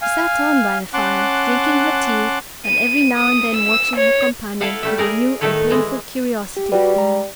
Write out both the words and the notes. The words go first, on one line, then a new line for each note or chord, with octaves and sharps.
She sat on by the fire, drinking her tea and every now and then watching her companion with a new and painful curiosity.
F5 G#5
C#4 F#5 A5 C6 D6 F#6
D#7
D#6
E6
C#5
E4 A4 B4 F5 F#5
G3 A3 E5
G#4 A#4 D5
A2 D#3 A3 A4 B4 C#5
E3 G#3
G4
G3 F#4 G4 B4
G#3 A#5